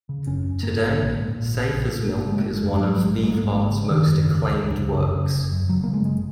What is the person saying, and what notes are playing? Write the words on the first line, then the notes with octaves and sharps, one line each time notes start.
Today, "Safe as Milk" is one of Beefheart's most acclaimed works.
C#3
F#1 C#4
F#2
G#2 A#3
A#1
A#1
G#2
A#2
A#1
A#1
A#2
G#1 A#3
C#3
G#3
G#1
G#3
F#2
G#3
G#2 F#3
A#1 F#3
G#3
A#1
G#3
A#3
G#2
G#1 G#3
C#3
G#1 D#3
F#2
C#3
C#2
C#2
C#3
F#1
C#3
F#1
F#2
F#1 F#3
C#3 A#3
G#3
F#1 G#3